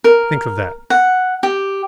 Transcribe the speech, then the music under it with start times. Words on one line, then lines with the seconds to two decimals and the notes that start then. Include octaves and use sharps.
Think of that!
0.04 A#4
0.90 F#5
1.43 G4